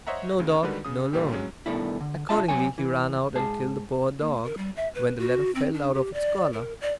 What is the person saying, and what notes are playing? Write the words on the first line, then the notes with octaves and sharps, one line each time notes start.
No dog, no loan.' Accordingly he ran out and killed the poor dog, when the letter fell out of its collar.
C5 C#5 D#5 E5 F#5 A#5
D2 C#3
D3 D#3 G3 G#3 F#4 B4
C#3 D#6
A#1 A#2 D3 G3 A#3 G4
F#3 G#3 C#4
G2 B2 D#3 A3 D4 E4
D3
C2 D4 F4 E5 A5
F#2 C3 F#3 C4 C#5 G#5
E3
G#2 G#4 A5
A#3
A#4
G3
E5
B4
F#4
C4
D4
G4
D5
A#4
D5